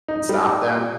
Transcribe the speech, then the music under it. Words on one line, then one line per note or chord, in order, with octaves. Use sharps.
and stop them
D#4
G3